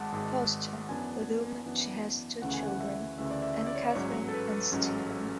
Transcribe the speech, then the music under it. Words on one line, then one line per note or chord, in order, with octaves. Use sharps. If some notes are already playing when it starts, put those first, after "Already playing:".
Foster, with whom she has two children, Anne-Catherine and Stephen.
Already playing: G#1 G#2 G#3 F#5 A5
G#1 G#2 G#3
F#2 E3 B3 D4 G#5
F#2 E3 B3 D4
D2 C#3 E3 A3 C#4 F#5
G#5
F#5
E5
D2 C#3 E3 A3 C#4 E5
D5
E5
E5
D5
C#5
D5
A1 G#2 F#3 C#4 C#5
A4
B4
A1 G#2 F#3 C#4